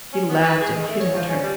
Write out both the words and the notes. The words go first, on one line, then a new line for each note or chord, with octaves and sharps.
He laughed and hit at her.
C#4
B3
B4
G#4
D#3
A3
C#5
F3
C#4
G3